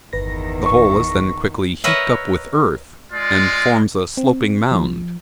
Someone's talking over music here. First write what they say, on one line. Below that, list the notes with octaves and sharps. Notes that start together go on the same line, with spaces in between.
The whole is then quickly heaped up with earth, and forms a sloping mound.
G1 E2 D#3 B4 A#6
C#6
A#4 B4 C#5 D#5 E5 F#5
G#3 F4 D5
C4
F3